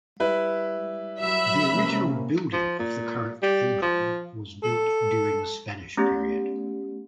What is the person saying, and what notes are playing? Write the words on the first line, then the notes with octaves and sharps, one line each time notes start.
The original building of the current cathedral was built during the Spanish period.
G3 E4 B4
F#3 E5 B5
C3 A#3 C#4
F3
A#2
G3
F3
A4
A3 B3 C#4 G4